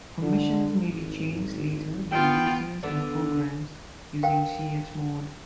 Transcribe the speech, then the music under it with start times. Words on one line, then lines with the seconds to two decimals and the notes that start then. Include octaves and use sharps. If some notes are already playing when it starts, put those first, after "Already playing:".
Permissions may be changed later by users and programs using chmod.
0.22 D3
0.89 G#1
2.11 B3 F4 G5
2.83 D3 B3 D4
4.23 A#4 F5 G5